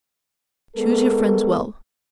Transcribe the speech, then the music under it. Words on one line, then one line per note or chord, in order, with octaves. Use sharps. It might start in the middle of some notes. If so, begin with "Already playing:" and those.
Choose your friends well.
G#3 B3 A4 A#4